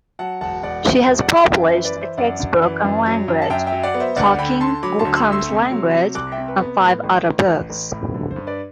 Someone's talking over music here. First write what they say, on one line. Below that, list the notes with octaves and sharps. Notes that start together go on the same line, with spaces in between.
She has published a textbook on language: "Talking Gookom's Language" and five other books.
F#3 F#5 A5
E1 F#5 A5
E1 D5 F#5
C3 C5 E5
C5 E5
E1
D5 F#5
E1
E5 G5
F#2 E5 G5
C5 E5
E3
B4 D5
E3
C5 E5
F#2 D5 F#5
F#2
E3
F#2
F#3
F#2
A5
F#2 E5 G5
E5 G5
F#3
D5 F#5
B3
C5 E5
D2 D5 F#5
D3 G5 B5
D3 A5 C6
F#3 B5 D6
A5 C6
D2
C6 E6
A3
C6 E6
C3
F#3
C3
C2 D6 F#6
E5 G5
C3
B4
B3
A2
A1
A1
A1
A1
A2
D3
C5
G2
B4 D5